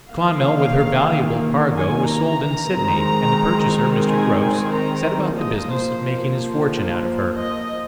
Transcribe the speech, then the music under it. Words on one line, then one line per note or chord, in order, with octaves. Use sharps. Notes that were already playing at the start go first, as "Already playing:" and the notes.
The 'Clonmel', with her valuable cargo, was sold in Sydney, and the purchaser, Mr. Grose, set about the business of making his fortune out of her.
D#3 A#3 F5
G#5
A#5
D#3 G#3 C4
G#5
G#5
A#5
F3 A#3 D#5
C5
D#5